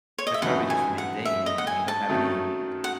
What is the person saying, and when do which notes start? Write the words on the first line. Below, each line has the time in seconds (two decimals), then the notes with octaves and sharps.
that's probably just the main thing, y you know, you don't have any,
0.18 C#5
0.27 D#5
0.34 E5
0.42 F#2 E3 A3 D#4 F#5
0.70 G#5
0.98 F#5
1.25 E5
1.46 D#5
1.58 F#5
1.67 G#5
1.88 A5
2.09 F#2 D#3 F#3 A3 D#4
2.84 F#5